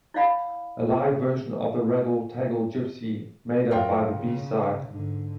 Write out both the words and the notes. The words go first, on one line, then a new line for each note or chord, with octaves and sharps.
A live version of "The Raggle Taggle Gypsy" made up the B-side.
E4 C#5 D5 F5 F#5 B5
F#2 F4 A#4 G5
C#3
G#2 D3